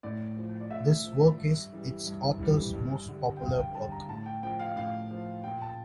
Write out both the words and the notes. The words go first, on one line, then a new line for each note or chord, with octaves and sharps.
This work is its author´s most popular work.
A2 D5
F3
D5
A2 E5
F3
G2
E3 G3
G2
E3 G3
G2
D3 G3
G5
G2 F5
G5
D3 G3 A5
A#5
A2 A5
G5
F3 G5
F5
A2 F5
F3
A#2 G5
A5